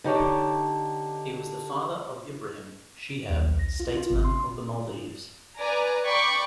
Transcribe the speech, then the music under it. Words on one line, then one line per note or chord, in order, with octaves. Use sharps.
He was the father of Ibrahim Shihab, statesman of the Maldives.
D3 D#4 G4 C#5 A5
D7
D#2
B1
A#6
F4
F4
G#1
C6
B4 D5 G#5 A#5
D5 G5 B5 C#6 D6